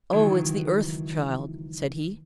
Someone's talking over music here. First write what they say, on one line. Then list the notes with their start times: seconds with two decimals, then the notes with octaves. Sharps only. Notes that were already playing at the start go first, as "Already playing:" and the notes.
"Oh, it's the Earth Child," said he.
0.12 C#2 D#3 E3 F#3